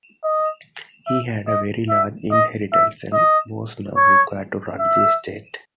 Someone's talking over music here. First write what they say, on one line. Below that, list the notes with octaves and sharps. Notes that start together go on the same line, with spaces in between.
He had a very large inheritance, and was now required to run the estate.
D#5
E5
D#5
E5
D#5
E5
D#5
C#5
E5